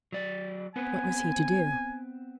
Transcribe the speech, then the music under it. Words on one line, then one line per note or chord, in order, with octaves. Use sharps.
What was he to do?
F#3 D5
B3 C4 B4 G#5